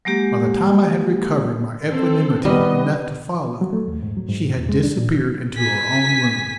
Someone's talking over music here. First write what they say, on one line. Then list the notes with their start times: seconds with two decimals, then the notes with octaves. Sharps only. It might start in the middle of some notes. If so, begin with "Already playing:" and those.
By the time I had recovered my equanimity enough to follow, she had disappeared into her own room.
0.05 F#3 G#3 A#3 G4
1.89 C4 A4
2.45 D#3 G3 B3 D#5
3.61 F#3
3.73 A3
3.88 D#2
4.03 G#2
4.17 F#3
4.29 G#2
4.56 E2
4.69 G#3
4.83 D4
4.98 A#2
5.57 G#5 B6